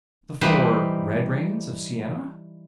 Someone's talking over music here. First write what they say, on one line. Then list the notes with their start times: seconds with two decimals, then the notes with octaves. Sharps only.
The four red rains of Siena.
0.41 E3 G3 D#4 B4 C5